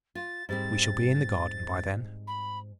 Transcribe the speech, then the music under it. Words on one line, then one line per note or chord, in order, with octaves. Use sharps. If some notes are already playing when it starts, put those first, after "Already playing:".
We shall be in the garden by then.'
F4 A6
G#2 G3 C4 A6
B5